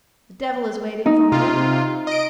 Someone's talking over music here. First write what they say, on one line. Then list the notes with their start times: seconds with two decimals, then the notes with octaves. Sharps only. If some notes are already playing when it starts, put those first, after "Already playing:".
The devil is waiting for me.
1.06 D#4
1.32 C3 F4
2.07 D#5 D7